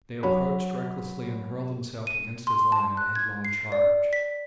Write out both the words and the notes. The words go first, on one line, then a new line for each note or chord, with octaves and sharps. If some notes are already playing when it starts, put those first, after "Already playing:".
They approached recklessly and hurled themselves against his line in a headlong charge.
F#3 C#5 B5
D#7
C6
A5
F#6
G#6
C7
D5
B6